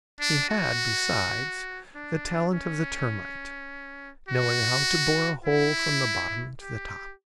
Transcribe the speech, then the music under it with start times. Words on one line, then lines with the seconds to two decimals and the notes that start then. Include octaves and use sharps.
He had, besides, the talent of the termite--knowing how to bore a hole from the bottom to the top.
0.20 D4
0.49 F#4
1.95 D4
2.54 C#4
4.29 F#4
5.45 E4
6.61 G4